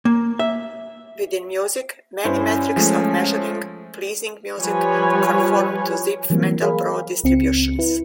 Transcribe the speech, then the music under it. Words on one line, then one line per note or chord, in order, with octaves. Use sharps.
Within music, many metrics of measuring "pleasing" music conform to Zipf-Mandelbrot distributions.
A#3
E5
G2 C#4 E4 C5
F3 G#3 A3
F3 G3 B4 C#5 G#5
E3 F#3 G3 A#3 C4
G#4 A#4 F5 B5
C#2 C4 C#7
E4 B4